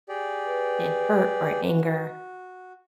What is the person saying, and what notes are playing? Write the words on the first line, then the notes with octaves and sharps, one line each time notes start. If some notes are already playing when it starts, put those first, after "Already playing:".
in hurt or anger,
G4 G#4 D5
B4
F#4